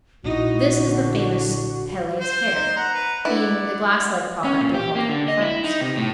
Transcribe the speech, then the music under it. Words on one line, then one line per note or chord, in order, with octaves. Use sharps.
This is the famous Pele's Hair, being the glass-like product of volcanic fires.
A#1 A#2 D#4 E4 F#4
D3
C5
D#4 C5
F#5 A#5
B4
D4 E4 B4 D5 F#5
C#4
A#2
G4
A#3
D3
D#5
E4
D#4
C3
A2